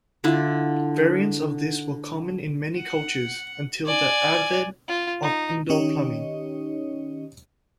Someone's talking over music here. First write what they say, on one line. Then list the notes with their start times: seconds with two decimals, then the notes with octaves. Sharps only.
Variants of this were common in many cultures until the advent of indoor plumbing.
0.24 D3 D4 E4 F4
2.77 F#5
3.86 D5 G#5
4.88 F4
5.23 D#4
5.70 D#3 C#4 D#4 G4 C#5 D#5